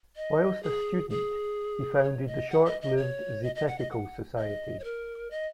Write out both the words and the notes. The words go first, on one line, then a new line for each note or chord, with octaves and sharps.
Whilst a student he founded the short-lived Zetetical Society.
D#5
G#4
G#4
C#5
D#5
F#5
D#5
D#5
C#5
D#5
D#5
F#5
D#5
F#5
D#5
C#5
A#4
D#5